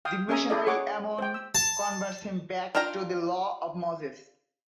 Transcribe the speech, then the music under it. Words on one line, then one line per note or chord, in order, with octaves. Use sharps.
The missionary Ammon converts him back to the Law of Moses.
F5 G5 D#6
C#4 G#4 E5 G#5 A#5 D#6
E4 G#4 A4 D5 D#5
G#4 C#5 F#5 D6
C5 G5
E6
A5
D4 F4 F5 G5 A#5